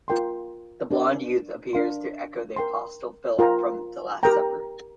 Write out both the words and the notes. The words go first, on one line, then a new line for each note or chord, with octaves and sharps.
The blonde youth appears to echo the apostle Philip from "The Last Supper".
F4 A#4 G5 C6
D4 A#4 D5
D4 A#4 F5 C6
A#4 G5 C6
F4 A#4 G5 A#5
G4 A#4 G5 A#5